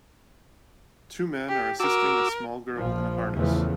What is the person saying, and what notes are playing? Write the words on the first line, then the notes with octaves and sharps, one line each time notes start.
Two men are assisting a small girl in a harness.
G4
F#4 A#4 D6 E6
A#1 F3
E2 A2 C#3 E3 F3 A3